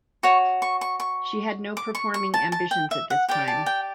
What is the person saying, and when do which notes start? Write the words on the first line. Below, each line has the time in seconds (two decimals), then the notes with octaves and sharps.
She had no performing ambitions at this time.
0.23 F#4 C#5 C#6
0.62 C#6
0.81 C#6
1.00 C#6
1.77 D6
1.95 C#6
2.14 C#6
2.34 A5
2.52 A5
2.71 G5
2.91 E5
3.10 F#5
3.29 G4 D5 G5
3.48 A5
3.66 G5